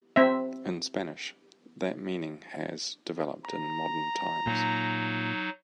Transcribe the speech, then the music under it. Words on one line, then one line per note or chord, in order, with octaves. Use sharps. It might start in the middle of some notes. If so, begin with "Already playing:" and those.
In Spanish, that meaning has developed in modern times.
C4 E5
A#5
A#2 F#3 D#4